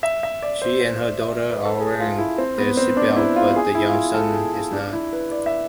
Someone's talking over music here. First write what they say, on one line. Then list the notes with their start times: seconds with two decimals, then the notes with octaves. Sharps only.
She and her daughter are wearing their seatbelts, but the young son is not.
0.03 E5
0.23 E5
0.43 D5
0.62 C5
0.81 C5
1.02 D5
1.21 E5
1.50 B4
1.65 A4
1.80 G#4
2.00 F4
2.19 E4
2.38 C4
2.58 B3
2.77 C4
2.97 D4
3.16 E4
3.36 F4
3.56 G#4
3.75 E4
3.89 F4
3.95 G#4
4.14 A4
4.34 G#4
4.54 F4
4.73 D4
4.93 E4
5.13 B4
5.32 D5
5.46 E5